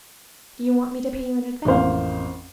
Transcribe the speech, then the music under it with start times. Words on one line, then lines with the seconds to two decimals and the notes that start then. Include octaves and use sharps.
Do you want me to pay you in advance?
1.65 A1 F2 A#3 C5 F5